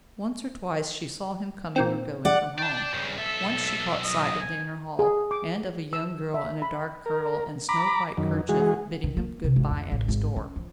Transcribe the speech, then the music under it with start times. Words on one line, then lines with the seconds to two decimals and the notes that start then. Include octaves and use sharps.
Once or twice she saw him coming or going from home. Once she caught sight of the inner hall, and of a young girl in a dark kirtle and snow-white kerchief bidding him good-bye at his door.
1.76 A#2 D#3 C4
2.25 D5 F#5
2.58 D5 G5 A5
2.94 G2 C#3
3.18 B1 A4 E5
4.03 D#5
4.40 G#5
4.99 G#4
5.31 D6
5.93 E6
6.34 E5
6.62 B5
7.06 A#4
7.69 A#5 B5 D6
8.17 F#2 D#3
8.49 E3 G#3 F#4 G#4
9.04 D#3
9.17 A#3
9.44 C3
9.56 G#1
9.71 F2
9.92 A1
10.08 G#1
10.36 C#4
10.56 F3